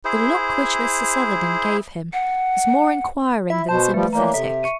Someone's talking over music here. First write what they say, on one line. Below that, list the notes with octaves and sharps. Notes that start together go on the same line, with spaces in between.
The look which Mr. Sutherland gave him was more inquiring than sympathetic.
E4 G#4 C5
F#5
E4 E5
B2 C5 A5
F3 G3 A3 B4
E3 A#3 C#5 D5 A#5
C3 A4 E5
C#6 C#7 D#7